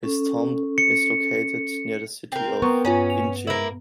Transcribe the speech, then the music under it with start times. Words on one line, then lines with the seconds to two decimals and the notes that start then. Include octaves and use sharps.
His tomb is located near the city of Incheon.
0.03 C#4 A4
0.78 C#7
2.32 C4 A#4
2.62 B3 A#5 C6 C#6
2.85 G2 C#4 F4 B4 C#5 A#5
3.10 F7
3.47 A#3 E4